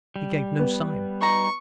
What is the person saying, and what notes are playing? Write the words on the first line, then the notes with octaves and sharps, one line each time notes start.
He gave no sign.
G3
B3
D#4 A#5 C#6